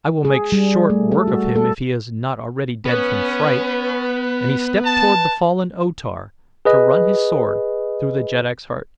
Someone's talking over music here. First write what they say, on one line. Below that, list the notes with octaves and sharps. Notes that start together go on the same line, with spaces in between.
"I will make short work of him if he is not already dead from fright," and he stepped toward the fallen O-Tar to run his sword through the jeddak's heart.
G#4
G3
A3
A4
F#4
A4
B3 C#4 B4
A5
G#4 B4 D#5